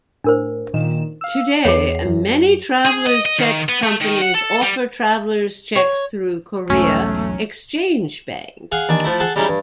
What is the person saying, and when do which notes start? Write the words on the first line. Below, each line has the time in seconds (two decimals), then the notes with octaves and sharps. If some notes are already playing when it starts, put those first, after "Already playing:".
Today, many Travellers Cheques companies offer travellers cheques through Korea Exchange Bank.
0.24 A2 D4 A#4 C5
0.74 A#2 D#3 E7
1.21 F5 E6
1.65 E2 B3 G#4 C#5 C7
2.06 F#2
2.86 G#4
3.07 D#5
3.26 D#5
3.38 D#3
3.69 B3
3.83 A3
4.01 D#3
4.21 F#5
4.34 A4
4.63 G3
5.76 C#5
6.70 B1 E2 G#2 F#3 A3 C#4
8.72 G#4 F5 F#5 G#5
8.89 D#2 D4 G#5
9.04 F3 A3 E4
9.20 G#4 A4 F#5 A5
9.36 G3 G#3 C#4 D#4 E4 G4
9.48 G2